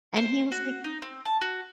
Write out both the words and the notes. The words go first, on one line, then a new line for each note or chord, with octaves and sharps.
And he was like
C5
F#4
D#4
C4
A5
F#4